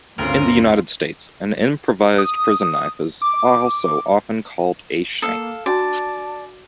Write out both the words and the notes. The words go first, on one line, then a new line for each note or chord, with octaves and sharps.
In the United States, an improvised prison knife is also often called a shank.
D2 G2 C#3 C4 F4 A#4
D#6
D6
A#3 A4 F5 D#6
D4 F#4 D5 A5